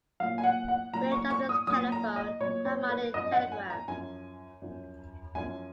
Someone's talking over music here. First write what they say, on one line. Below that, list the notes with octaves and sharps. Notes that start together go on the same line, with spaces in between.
Gray dubbed his telephone "the harmonic telegraph".
A#2 F#3 F5
G#5
F#5
F#5
A#2 F#3 A#5
C#6
C#6
D#6
A#2 F#3 D#6
A#5
D#5
A#2 F#3 C#5
C#5
B4
F#2 F3 D#5
F#5
G#5
A#5
F#2 F3 G#5
F#2 F3
F#2 F3 G#5